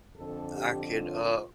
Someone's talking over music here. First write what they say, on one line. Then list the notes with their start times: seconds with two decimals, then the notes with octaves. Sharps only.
I could, uh,
0.16 F2 D3 A4
0.54 G4
0.92 F4